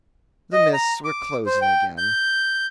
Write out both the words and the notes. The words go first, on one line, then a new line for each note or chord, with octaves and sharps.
'The mists were closing again.
D#5
A#5
D6
C5
G5
G6